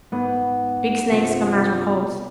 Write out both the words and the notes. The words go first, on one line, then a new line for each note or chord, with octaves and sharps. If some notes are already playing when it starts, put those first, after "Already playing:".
Big snakes come out of holes.
G#2 B3
G2 C3 F3